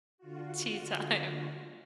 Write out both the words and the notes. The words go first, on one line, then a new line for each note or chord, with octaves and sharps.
tea time.
D3 F4 F#4